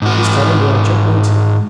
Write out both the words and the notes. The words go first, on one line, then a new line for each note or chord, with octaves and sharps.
"This time we are checkmated."
G#2 F#4